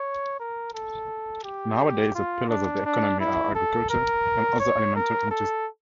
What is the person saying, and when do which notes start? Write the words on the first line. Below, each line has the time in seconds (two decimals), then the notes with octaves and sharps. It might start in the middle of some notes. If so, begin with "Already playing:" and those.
Nowadays, the pillars of the economy are agriculture and other alimentary industries, and construction.
Already playing: C#5
0.40 A#4
0.74 A4
1.44 G4
2.15 F4
2.49 D4
2.85 D4
3.20 E4
3.55 A4
3.90 A#4
4.60 C#5
4.96 A#4
5.31 A4